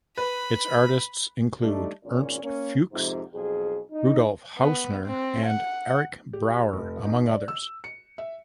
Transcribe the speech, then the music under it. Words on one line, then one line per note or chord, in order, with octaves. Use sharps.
Its artists included Ernst Fuchs, Rudolf Hausner and Arik Brauer among others.
B4 B5
G3 A3 D4 D#4
G#1 A#2 C#4 D5
A#3 C#4
F2 G#2 C3
B1 F2 G#4
D#4
B3
C4
F#5
G4
F1
D#4
D5
E6
C#7
E5